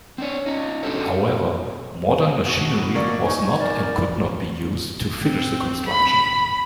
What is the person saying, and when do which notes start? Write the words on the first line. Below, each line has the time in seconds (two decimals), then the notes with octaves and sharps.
However, modern machinery was not and could not be used to finish the construction.
0.18 C4 D4 C#5
0.46 C#4 D#4
0.83 D4 F#4 G4 A4 C#5
2.46 B2 F#4
2.94 A1 A#3 D5 C#6
3.24 D#4 G#5
3.60 A#4 D5
5.22 C4
5.89 B5